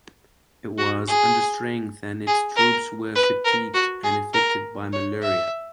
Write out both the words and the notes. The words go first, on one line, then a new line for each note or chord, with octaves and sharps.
It was understrength and its troops were fatigued and affected by malaria.
F#4
G#4
G#4
A#4
B4
A#4
F#4
G#4
A#4
C#5
E5